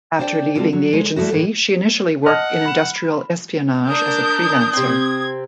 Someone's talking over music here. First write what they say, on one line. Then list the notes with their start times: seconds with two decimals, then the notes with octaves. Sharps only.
After leaving the agency, she initially worked in industrial espionage as a freelancer.
0.19 D4 C5 D5 F#5 G5
0.55 G3 G#3 C4 F4 F#4 A4
0.73 F#3
0.92 D2 G#3 C5
1.16 G3 A3 B3 E4 F#4
1.32 E2 A2 E3
2.26 D#5 F#5 A5 F6
2.65 B5 E7
3.88 D4 A#4 D#6 G6
4.73 C3 C4 G#6